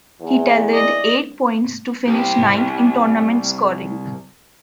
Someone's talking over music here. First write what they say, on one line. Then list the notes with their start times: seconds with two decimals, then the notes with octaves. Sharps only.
He tallied eight points to finish ninth in tournament scoring.
0.22 E2 E3
0.71 D5 D#5
2.07 C2 G4